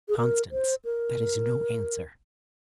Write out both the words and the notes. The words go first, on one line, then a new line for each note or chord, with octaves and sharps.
"Constance, that is no answer."
G#4
A#4
C5
A#4